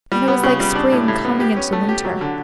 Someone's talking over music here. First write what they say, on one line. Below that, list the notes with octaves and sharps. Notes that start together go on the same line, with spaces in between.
And it was like spring coming into winter.
G3
B3
C#3
G3
D4
A2
A2
B3
G4
C#4
A3
G4
F#3
D3